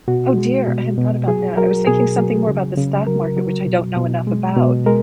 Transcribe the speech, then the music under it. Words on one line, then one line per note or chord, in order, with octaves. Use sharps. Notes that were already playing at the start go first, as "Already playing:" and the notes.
oh dear, I hadn't thought about that, I was thinking something more about the stock market, which I don't know enough about.
B2 F#4
G#3
B2
B2
F#3 G#4
F#3 A#4
B2 G#4
F#3
C#3
C#3
F#3 A#4
F#3
B2
B2
G#3
B2
G#3 A#4